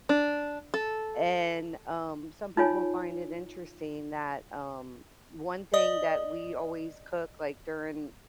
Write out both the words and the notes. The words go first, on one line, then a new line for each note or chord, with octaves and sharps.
and, um, some people find it interesting that, um, one thing that we always cook, like, during
D4
A4
D#4 F4 C#5 G#5
D5 D#5 D#6